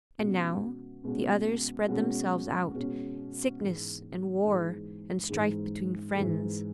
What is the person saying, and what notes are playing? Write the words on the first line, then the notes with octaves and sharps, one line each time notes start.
And now the others spread themselves out--Sickness and War and Strife between friends.
B2 G#3 C#4 F#4
B2 G#3 C#4 F#4
B2 G#3 C#4 F#4
B2 G#3 C#4 F#4
G#2 E3 G#3
G#2 E3 G#3
G#2 E3 G#3
G#2 E3 G#3